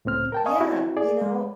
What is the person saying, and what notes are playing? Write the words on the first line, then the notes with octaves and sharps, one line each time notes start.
Yeah, you know
C#2 A2 C4 F6
A#4 G5 A5
D#5 F5 G#5 C#6 D#6
C4 E4 F#4
G#4 D5
G#3